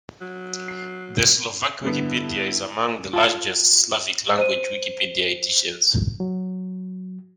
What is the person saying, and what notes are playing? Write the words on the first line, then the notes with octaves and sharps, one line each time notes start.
The Slovak Wikipedia is among the largest Slavic-language Wikipedia editions.
F#3
C7
G2 D3 B3 E4
F4 A5
C5 D#7
F#3